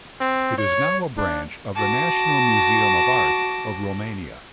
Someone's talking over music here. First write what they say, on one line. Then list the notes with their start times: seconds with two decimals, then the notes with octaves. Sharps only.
It is now a branch of The National Museum of Art of Romania.
0.21 C4
0.58 C#5
1.17 D4
1.76 F#4 A5 D6 A#6